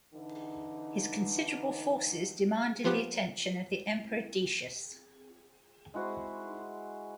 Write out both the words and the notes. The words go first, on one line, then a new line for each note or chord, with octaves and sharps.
His considerable forces demanded the attention of the emperor Decius.
D3 E3 D#4
F3 B3 G4 B4
G#3 E4 F#4 C5